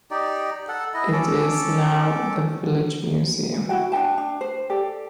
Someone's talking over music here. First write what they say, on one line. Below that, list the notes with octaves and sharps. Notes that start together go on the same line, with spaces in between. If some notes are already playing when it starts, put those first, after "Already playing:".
It is now the village museum.
D#4 G4 D5
A4 F#5
E4 D#5
C#4 A4 D6
E4 F#4 F#5 G5
D4 F#5 G5 A5
D4
C5
G4 A4 D5